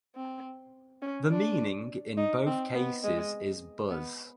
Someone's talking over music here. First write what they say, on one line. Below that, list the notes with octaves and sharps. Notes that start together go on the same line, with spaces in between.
The meaning in both cases is "buzz".
C4
C#4
D4
D#4
C4
B3
G#3
B3